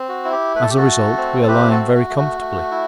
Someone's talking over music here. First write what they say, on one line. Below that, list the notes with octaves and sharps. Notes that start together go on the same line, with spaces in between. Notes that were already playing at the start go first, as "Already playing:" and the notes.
As a result we are lying very comfortably.
Already playing: C4
F#4
E4
G4
A3 B4
A4
G4
F#4 A4
A3
C4
A4
A3 G4 B4
F#4 A4
A3
F#4
A3
F#4
A3
E4